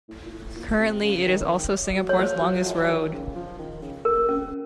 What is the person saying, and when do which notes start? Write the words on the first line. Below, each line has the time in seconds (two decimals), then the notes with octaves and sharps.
Currently, it is also Singapore's longest road.
0.08 A2
0.25 A#2
0.33 A2
0.56 A#2
0.79 C3
1.01 C#3
1.26 D#3
1.88 F#3
2.09 C#5
2.19 F3 C5
2.42 F#3
2.66 F3
2.89 D#3
3.13 C#3
3.36 F3
3.59 D#3
3.82 C#3
4.05 A#2 A#4
4.29 C3 C#4